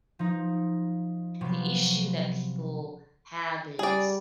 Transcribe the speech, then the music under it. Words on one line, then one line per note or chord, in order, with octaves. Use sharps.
the issue that people have is,
F3 D#4
C3 F3 F#3 B3
G3 G#4 D5